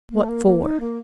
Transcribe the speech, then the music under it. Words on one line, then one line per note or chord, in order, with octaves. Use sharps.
What for?
A#3
A3
A#3
A#3
D#4
A#3